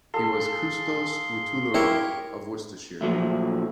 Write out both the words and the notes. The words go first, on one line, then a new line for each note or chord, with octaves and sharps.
He was "Custos Rotulorum" of Worcestershire.
G#4 A4 F5 C6
E4 G4 A#4 C#5
A#2 F3 F#3 A3